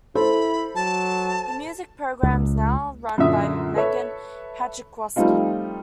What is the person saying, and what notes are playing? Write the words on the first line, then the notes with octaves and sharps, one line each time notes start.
The music program is now run by Meghan Hachkowski.
E4 A4 C5 B5
F#3 A5
C#2
F#2 A#2 D3 D4 E5 D#6
A4 B4 C#5 E5
F3 G3 A3 C4 D#4 F4